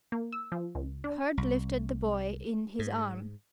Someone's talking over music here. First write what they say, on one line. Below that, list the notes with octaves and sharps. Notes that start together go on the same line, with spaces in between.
Hurd lifted the boy in his arm.
A#3
E6
F3
C#2
D4
C2
G#2